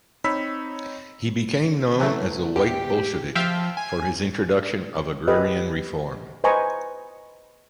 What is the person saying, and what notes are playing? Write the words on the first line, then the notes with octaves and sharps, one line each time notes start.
He became known as a "white Bolshevik" for his introduction of agrarian reform.
C4 D#4 C#5 B5 E6 B6
E3 F#3 A3
E2 G4
F3 E5 F5 G5
G#5
G4 B4 D#5
B4 C5 D#5 G#5 A#5 C#6